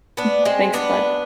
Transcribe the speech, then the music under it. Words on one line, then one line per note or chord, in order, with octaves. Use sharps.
Mm, thanks, bud.
B3 D4
G#3 C4
B3 D4